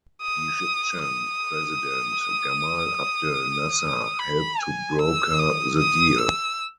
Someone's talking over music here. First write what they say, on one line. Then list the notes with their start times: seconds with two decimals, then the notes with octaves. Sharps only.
Egyptian president Gamal Abdel Nasser helped to broker the deal.
0.22 D#6
1.02 D#6
4.19 B5
4.59 G#5
4.99 E6
5.39 D#6
5.78 D#6
6.18 E6